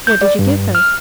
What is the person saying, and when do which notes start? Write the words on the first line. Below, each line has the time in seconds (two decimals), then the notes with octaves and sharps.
'What did you give her?'
0.07 G6
0.21 D5
0.39 G2
0.75 F6